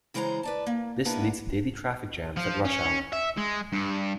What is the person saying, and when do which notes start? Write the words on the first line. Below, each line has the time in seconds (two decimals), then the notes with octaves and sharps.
This leads to daily traffic jams at rush hour.
0.14 C#3 E3 G#3 C5 A5 A#5
0.43 B4 D5 A5
0.66 A#3
1.05 A#3 B3 D4 E4 B4
2.37 F3
2.65 C#4
3.12 E5
3.37 G#3
3.73 G2